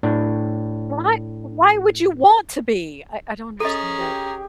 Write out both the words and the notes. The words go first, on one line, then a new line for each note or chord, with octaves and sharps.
Why why would you want to be? I I don't understand it.
A2 D4
C#4 G#4 A4 D#5 A#5
G4